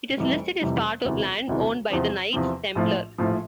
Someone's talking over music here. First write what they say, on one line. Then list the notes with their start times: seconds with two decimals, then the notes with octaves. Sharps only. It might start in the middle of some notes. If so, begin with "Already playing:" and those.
It is listed as part of land owned by the Knights Templar.
0.19 F1 F2 C3 E3 G3
0.61 F1 F2 C3 E3 G3
1.04 E1 D2 C3 E3
1.48 E1 D2 C3 E3
1.90 E2 C3 F3 C4
2.33 E2 C3 F3 C4
2.75 A#1 A2 F3
3.18 A#1 A2 F3